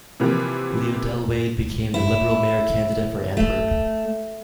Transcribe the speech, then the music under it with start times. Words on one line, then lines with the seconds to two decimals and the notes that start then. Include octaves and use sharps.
Leo Delwaide became the liberal mayor candidate for Antwerp.
0.20 C3 E3 F3 A#3 C4
1.94 E4
3.37 A3